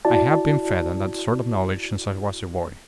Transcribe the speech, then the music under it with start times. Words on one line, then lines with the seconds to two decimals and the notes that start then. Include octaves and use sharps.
I have been fed on that sort of knowledge since I was a boy.
0.05 E4 F#4 D5 A5